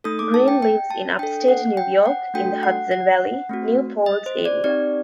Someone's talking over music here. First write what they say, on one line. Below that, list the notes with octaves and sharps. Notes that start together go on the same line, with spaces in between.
Green lives in upstate New York, in the Hudson Valley, New Paltz area.
A3 D#4 A4 D#6
D6
A5
G5
G5
A5
D4 A4 G5
F#5
G5
F#5
A3 D4 F#4 A4 G5
F#5
F#5
A3 C4 F#4
D#5
C5
D5
C4 D#4 G4 D5